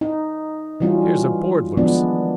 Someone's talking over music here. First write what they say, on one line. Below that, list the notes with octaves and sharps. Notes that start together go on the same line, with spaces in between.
'Here's a board loose.
D#4
E3 F#3 G3 C#4 F4
D#3 F3 G#3 B3 D4